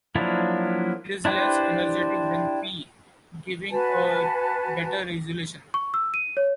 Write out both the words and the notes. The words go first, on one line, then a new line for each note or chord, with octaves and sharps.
It is less energetic than P, giving a better resolution.
F3 F#3 A#3 D4 E4
D4 E4 G4 B4 C5
F#4 B4 G#5 A5
C#6
E6
D#7
C#5